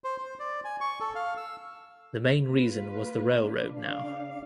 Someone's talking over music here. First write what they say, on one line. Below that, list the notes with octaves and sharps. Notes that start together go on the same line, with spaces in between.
The main reason was the railroad now.
C5
C5
D5
G#5
C#6
A4
F5
E6
A#3 F4 B4
D4
C#3 F5